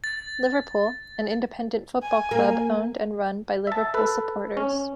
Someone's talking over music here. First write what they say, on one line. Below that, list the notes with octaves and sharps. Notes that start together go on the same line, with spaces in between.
Liverpool, an independent football club owned and run by Liverpool supporters.
A6
G#5
A#3
E5 A5
A4 B4
C#4